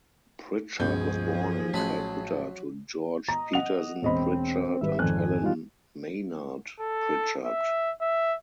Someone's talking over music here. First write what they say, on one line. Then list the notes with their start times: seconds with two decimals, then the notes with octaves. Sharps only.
Pritchard was born in Calcutta to George Petersen Pritchard and Helen Maynard Pritchard.
0.80 C#2 G2 B2 F3 G#4 G6
1.74 A1 F#3 A5 B5 C6 B6
3.28 D#5 A#5
3.53 F#5 F7
4.02 E1 C4 D#5 B5
4.81 G#1 G3 B4 E5
4.99 G#1 F2 G#5 F#6
5.42 D#3 G3 F4
6.80 A4
7.45 E5
8.01 E5